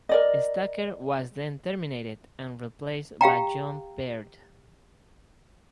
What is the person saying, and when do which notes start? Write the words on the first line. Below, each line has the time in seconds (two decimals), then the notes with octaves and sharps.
Stacker was then terminated and replaced by John Peard.
0.09 A#4 D5 D#5
3.21 G4 F5 G5 A#5